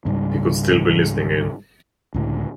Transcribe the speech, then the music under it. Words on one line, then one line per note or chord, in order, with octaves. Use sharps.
He could still be listening in.
C#2 G#2 C#3 G3
C#2 A2 D3